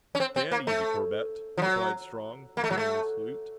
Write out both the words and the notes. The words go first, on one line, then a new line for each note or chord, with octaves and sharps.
"Stand easy, Corbett," replied Strong, returning the salute.
C#4
C4
C4
A#3
A3
F3
F#3
A#3
A3
F#3
A3